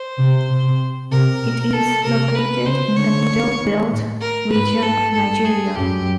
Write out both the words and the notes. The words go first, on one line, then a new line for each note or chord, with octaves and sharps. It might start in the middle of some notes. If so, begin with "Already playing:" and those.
It is located in the Middle Belt region of Nigeria.
Already playing: C5
C3
C3
C3 A#4
B2
A4
C3 A#4
B4
C#3 C5
D3 C#5
D#3
A2
A#4
G#2 B4
A4
G2 A4
G#4
F#2 G4